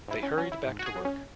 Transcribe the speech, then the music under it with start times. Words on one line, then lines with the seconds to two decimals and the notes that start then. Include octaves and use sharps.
They hurried back to work.
0.08 G#2 E4
0.23 C#4
0.37 F#3 C#4
0.52 E4
0.66 G#2
0.79 F#4
0.86 G#4
0.96 F#3
1.05 C#4